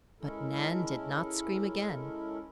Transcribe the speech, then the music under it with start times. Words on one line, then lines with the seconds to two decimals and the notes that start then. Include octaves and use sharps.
But Nan did not scream again.
0.21 G#3 C#4 E4 A4 A#4